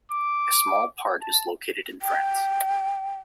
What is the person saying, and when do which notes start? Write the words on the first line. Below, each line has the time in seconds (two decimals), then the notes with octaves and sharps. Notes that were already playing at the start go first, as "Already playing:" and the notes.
A small part is located in France.
0.11 D6
1.21 A5
2.02 G5